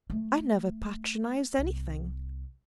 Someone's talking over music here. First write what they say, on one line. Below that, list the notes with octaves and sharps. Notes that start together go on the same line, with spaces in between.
I never patronised anything.
A3
C2